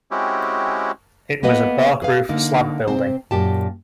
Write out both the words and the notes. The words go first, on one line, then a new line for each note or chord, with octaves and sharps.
It was a bark-roof slab building.
G#3 C4 C#4 E4 F#4 G4
A#3 B3 A4 B4 D#5
G#4 B4 F5
D3 A#3 D#4
C3 C4 C5
F#2 A#2 G4 A5